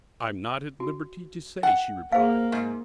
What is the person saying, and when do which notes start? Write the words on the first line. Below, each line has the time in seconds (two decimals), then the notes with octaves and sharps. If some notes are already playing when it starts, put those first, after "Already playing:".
"I'm not at liberty to say," she replied.
0.80 F#4
1.63 F#5 G5
2.12 A#3 G#4 C5 F5
2.52 G#2